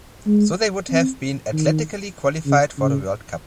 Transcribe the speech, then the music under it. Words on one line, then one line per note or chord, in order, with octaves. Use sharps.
So they would have been athletically qualified for the World Cup.
G#3
C4
D#3
C#3
C#3